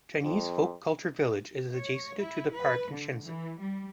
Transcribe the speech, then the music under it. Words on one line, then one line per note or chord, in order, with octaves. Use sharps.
Chinese Folk Culture Village is adjacent to the park in Shenzhen.
F2
C#5
E4
B4
D3
E3
G3